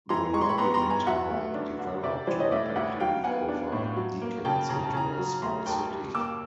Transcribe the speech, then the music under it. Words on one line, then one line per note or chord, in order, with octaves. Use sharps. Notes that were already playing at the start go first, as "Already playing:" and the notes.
The logging town developed rapidly over decades into a small city.
E3 A#5 C6
G#3 C#6
C6
B5 C#6
B3 A#5 C6
A#5 C6
G2
G#5 A#5
F#3 E5 F#5
A3
D4
D3
C3 D5 E5
E3 C5 D5
C#5 D#5
A3 D5 E5
D2 E5 F#5
F#3 F5 G5
B3 F#5 G#5
D4
A2
F#3
A#3
C#3 G5 A5
C#3 A#5
A5
C#3 G#5 A#5
F#3
A3 A#5 C6
D#2 G5 A5
G3
A#3 D6 E6